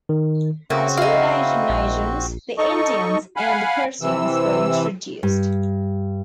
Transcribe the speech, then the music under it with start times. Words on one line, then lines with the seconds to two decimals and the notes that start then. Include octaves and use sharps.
Two Asian nations, the Indians and the Persians, were introduced.
0.09 D#3
0.70 C#3 A3 A#3 C4 F#4
0.97 D#4 E4 F5
1.69 A#1
2.58 D#4 A4 D#5 C#6
3.36 F5 F#5 G#5 B5
4.01 C3 E3 E6
5.23 G2